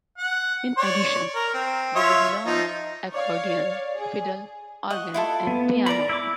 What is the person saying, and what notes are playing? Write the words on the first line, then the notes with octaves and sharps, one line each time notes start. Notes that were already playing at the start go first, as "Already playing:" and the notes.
In addition, David learned accordion, fiddle, organ, and piano.
F#5
C#5 D5
A#4
C4
F4 C#5 E5
F3 D#4
C#5 D5 F5
G#4
D#5 F#5 C#6
E4 F4 A4
B3
A#4 D5 A#5 B5
E4 D6